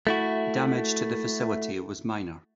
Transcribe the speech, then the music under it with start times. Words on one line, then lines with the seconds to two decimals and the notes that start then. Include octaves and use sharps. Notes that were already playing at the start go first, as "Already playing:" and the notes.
Damage to the facility was minor.
0.07 A3 E4 F#4